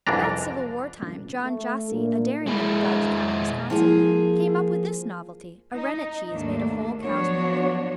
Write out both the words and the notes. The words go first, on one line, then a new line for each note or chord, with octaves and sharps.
About Civil War time, John Jossi, a dairyman of Dodge County, Wisconsin, came up with this novelty, a rennet cheese made of whole cow's milk.
C2 F2 G#2 E3 D4 A#5
A3
A#2 A#3 D4
G#3 E4
F3 G#3 A#3 E4 G#4 A5
D#4
D#2 G#2 A3 A#3 D4
F3 F#3 B3 D4 F#4 C#5